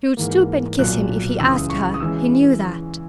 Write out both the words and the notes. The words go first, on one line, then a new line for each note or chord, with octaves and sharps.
She would stoop and kiss him if he asked her; he knew that.
G#2 E3 A#3
B1 A#2 F#3 F#6
C#2 C#3 E3 E6
D#6
C#6
D#6
E3 G#3 C#4 E6